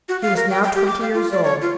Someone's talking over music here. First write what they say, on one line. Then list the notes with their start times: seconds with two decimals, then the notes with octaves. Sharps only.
He was now twenty years old.
0.09 F#4
0.22 F5
0.36 A#4
0.50 G5
0.63 G5
0.75 G4
0.88 D6
1.02 F5
1.14 F4
1.31 D5
1.44 C#5
1.62 F4